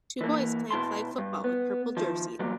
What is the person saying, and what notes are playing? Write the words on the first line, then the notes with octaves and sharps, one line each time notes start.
Two boys playing flag football with purple jerseys.
E3 A#3
B2 E4 A5 C6
G2
B3
D#3 F3
E2 A#2 F#3 G3